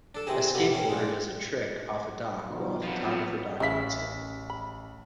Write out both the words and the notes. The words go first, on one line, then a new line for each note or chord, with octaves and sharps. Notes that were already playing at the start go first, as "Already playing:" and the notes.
A skateboarder does a trick off a dock while a photographer documents it.
D4 A4 A5
C3 E3 C4 D#4 G#4
G2 B2 D3 G3
D#3 C#4
A#2 G#3
B2 D#3 F3
F3 F#3 B3 C4 F4
A1 C#3 E4 F5 B6
B5